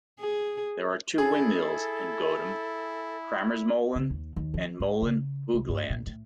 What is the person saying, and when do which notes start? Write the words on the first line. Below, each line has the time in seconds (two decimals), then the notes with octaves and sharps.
There are two windmills in Goutum, "Kramersmolen" and "Molen Hoogland".
0.20 G#4
1.18 E4 G#4 A4
3.96 C#3
4.10 D#2
4.36 D#2
4.54 F3
4.80 G#2
5.02 C#3
5.54 C2
5.69 G2
5.90 A#2
6.07 A2